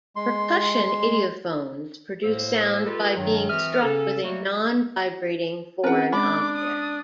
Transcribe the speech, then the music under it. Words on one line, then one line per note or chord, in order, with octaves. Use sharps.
Percussion idiophones produce sound by being struck with a non-vibrating foreign object.
G#3 C6
A2 A#3 C5 E6
F4 G4 A4 B4
G2 D#3 F#3
E3 C4 F#4 E5 D#6 F6
C#3 C#4 A4
F#3 G3 A3 A#3 F#4
C4 C#4 G#4 A#4 B4 F#5
G#3 D4 B5 D6
D#6